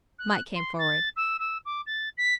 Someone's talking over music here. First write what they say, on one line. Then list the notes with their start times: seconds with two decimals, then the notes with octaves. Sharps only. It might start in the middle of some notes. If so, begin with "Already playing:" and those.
Mike came forward.
0.18 F#6
0.55 C6
0.78 A6
1.16 E6
1.39 E6
1.65 D6
1.86 A6
2.17 B6